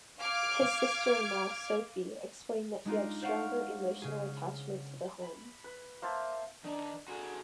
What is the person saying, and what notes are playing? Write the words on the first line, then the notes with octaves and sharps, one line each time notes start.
His sister-in-law Sophie explained that he had a stronger emotional attachment to the home.
F5 D6 F6 G#6 D7
G#3 D4 D#4 F4
C5 D5 F5 F#5 C#6
C#3 G#4
B5
B4
A#3 C5 E5 A5
D#3 D4
D3 F#4 G#4